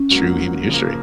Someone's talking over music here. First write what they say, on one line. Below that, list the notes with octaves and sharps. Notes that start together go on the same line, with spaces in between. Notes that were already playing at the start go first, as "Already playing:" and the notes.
true human history.
Already playing: C#4
G#2 F#3 A#3
C#3 F3 A#3